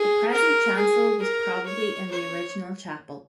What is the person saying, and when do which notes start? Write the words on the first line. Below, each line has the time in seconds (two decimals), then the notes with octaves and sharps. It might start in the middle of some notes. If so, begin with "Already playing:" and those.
The present chancel was probably in the original chapel.
Already playing: G#4
0.32 A#4
0.77 G#4
1.21 A#4
1.66 C#5
2.11 C#5